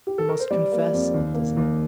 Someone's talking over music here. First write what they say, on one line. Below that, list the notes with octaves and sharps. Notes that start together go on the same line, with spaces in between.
We must confess it does not.
G4
A4
A#4
C5
G3 D5
A#3
F2
D#2
A#3
D#2